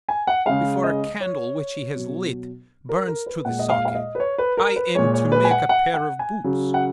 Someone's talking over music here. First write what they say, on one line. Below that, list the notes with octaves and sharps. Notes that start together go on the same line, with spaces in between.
Before a candle which he has lit burns to the socket, I am to make a pair of boots.
G#5
F#5
C#3 G#3 F5
D#5
C#5
B2 F#3
A#4
A#4
B4
A#2 G#3 F#5
D#5
F5
F5
D#5
B4
C#5
B4
A#4
B4
A#2 G#3 C#5
C#5
B4
G#5
F#5
F#5
F#5
G#5
C#3 F#3
F#5